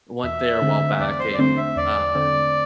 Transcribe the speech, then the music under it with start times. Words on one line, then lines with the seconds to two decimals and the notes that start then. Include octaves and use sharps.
went there a while back, and, um,
0.24 E2 E5
0.62 D3 A3 C4
1.00 E2 D5
1.19 C5
1.34 D5
1.38 D3 A3 C4 C5
1.57 E5
1.76 E2 D5
2.15 D3 A3 C4